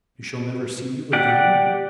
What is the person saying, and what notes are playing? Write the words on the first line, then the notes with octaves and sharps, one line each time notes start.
"We shall never see you again?"
G4 D5 F#5